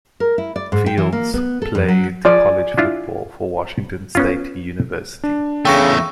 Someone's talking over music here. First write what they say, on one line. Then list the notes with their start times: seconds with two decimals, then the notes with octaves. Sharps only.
Fields played college football for Washington State University.
0.20 A#4
0.38 E4
0.56 D5
0.72 G#2
0.86 G5
0.98 E3
1.12 A#3
1.34 B3
1.62 A4
1.75 F2
1.88 F#3
2.25 F3 G#4 D5
2.78 D4 E4 F4
4.15 B3 C#4 F4
5.24 D4
5.65 E2 C#3 A3 G5 C#6 A#6